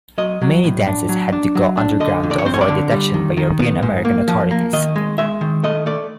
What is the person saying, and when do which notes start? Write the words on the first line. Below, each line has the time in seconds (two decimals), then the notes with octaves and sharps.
Many dances had to go underground to avoid detection by European-American authorities.
0.18 F#3 D#5
0.42 F#3
0.64 A2
0.87 D4
1.09 F#3
1.33 D4
1.55 F#3
1.77 D4
2.00 D3 D#5
2.23 F2
2.31 D5
2.38 C#5
2.45 C4 C5
2.54 C#5
2.61 D5
2.69 D3
2.92 G3
3.14 D#3
3.37 D#3
3.59 B3
3.82 G#2
4.05 A#3
4.28 F3
4.51 A#3
4.73 D#3 D#5
4.96 G#3
5.18 G#3 E5
5.41 D#3
5.64 A3 D#5
5.86 A3 D5